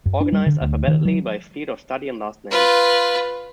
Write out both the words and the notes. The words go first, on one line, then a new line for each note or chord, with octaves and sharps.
Organized alphabetically by field of study and last name.
F#2
D4
G3
D3
D2
D#3
F#3
F4 B4